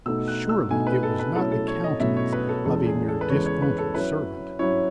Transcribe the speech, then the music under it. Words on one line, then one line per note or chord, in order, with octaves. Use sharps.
Surely it was not the countenance of a mere disgruntled servant.
B2 A3 D#4 E6
F#6
E6
B2 A3 D#4 G#5
B4
A4
B4
B2 F#3 A3 C#4 E4 A4
A4
C#5
D#5
B2 F#3 A3 C#4 E4 E5
C#5
B4
A4
E2 C#3 G#3 A4
G#4
A4
B4
E2 C#3 G#3 C#5
C#5
B4
A4
F#3 C#4 E4 B4
F#3 C#4 E4 C#5